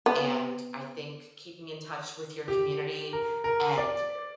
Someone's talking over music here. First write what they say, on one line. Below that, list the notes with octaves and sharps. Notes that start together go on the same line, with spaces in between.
and I think keeping in touch with your community and, er,
B3
G4
A#4
A#4
D5